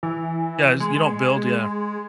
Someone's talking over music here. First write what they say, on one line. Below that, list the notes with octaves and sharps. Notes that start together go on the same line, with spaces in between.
Yeah, you don't build, yeah.
E3
G#3